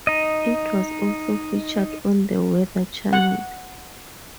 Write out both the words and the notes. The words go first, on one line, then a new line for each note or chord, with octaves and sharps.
It was also featured on the Weather Channel.
D#4 D#5
F#5